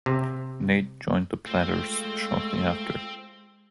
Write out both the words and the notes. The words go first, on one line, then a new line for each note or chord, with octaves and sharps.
Nate joined The Platters shortly after.
C3
G#3 A3 C4 F4 C5 E6